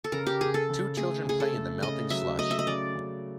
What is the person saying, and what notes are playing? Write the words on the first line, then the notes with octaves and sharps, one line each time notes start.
Two children play in the melting slush.
A4
C#3 A#4
G4
C#3 G#4
A4
C#3
A3 G#4
C#3 G#4
A4
A3
C#3 D#5
F#3 E5
A3 D#5
E5
D#5
C#3 D5
C#3